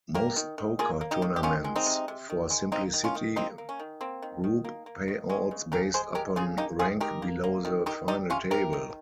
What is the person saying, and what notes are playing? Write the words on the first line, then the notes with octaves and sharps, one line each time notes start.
Most poker tournaments, for simplicity, group payouts based upon rank below the final table.
A#3 G4 A#4
D#3
D#3
A#3 F4 G#4
A#3
D#4 G4
D#3
G4
D#3 C#4 F4
G#3
C4 D#4
C3
C3
D#3
G#3
A#3 C4 D#4
D#3
C#4 F4
D#3
A#3 C4 D#4
A#3
C#4
D#3
A#3 C4
D#3
D#3
A#3
A#3
D#3
G#3 C#4
C#3
C#3 G4 A#4
G#3 G#4 C5
G#3 G4 A#4
C#3 F4 G#4
A#3 D#4 G4
D#3 F4 G#4
D#3 G4 A#4
A#3
A#3
D#3
D#3 D#4 G4
G3 D#4 G4
C3 C#4 F4
C3 G4 A#4
D#3